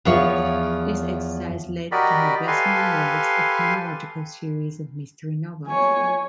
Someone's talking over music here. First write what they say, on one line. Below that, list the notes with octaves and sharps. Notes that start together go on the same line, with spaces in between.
This exercise led to her best-known works, a chronological series of mystery novels.
E2 F3 C#5
F#4 G4 A#4 D5 D#5 B5
G4 A4 B4 F5 G#5 C6
C#5 G#5